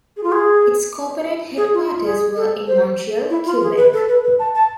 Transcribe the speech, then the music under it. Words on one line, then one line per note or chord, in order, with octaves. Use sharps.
Its corporate headquarters were in Montreal, Quebec.
G#4
F4
G#4
G#4
F4
F4
G#4
A4
C5
E4
F4
G#4
B4
A4
B4
B4
A5
A5